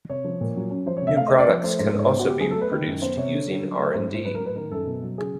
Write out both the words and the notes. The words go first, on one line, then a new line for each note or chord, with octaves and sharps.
New products can also be produced using R and D.
C3 C#5
F3
A#2
F#3
C#4
F3 C5
C#5
C3
E5
A3 F5
D#5
C#4
D5
F3
A3 C5
G#2 C5
C5
G#2 C#5
B3 C5
F#4
B3 G4
F#3 G#4
A4
A3
B4
D#3
F#2
B3 C5
C3 C#5
D3
D3
F#3
A3
G#2 C5
G#2
C5
F#3 B4
A#4
A2
B4
D#3 A#4
F#2 A4
B2
F#3
C#3 G#4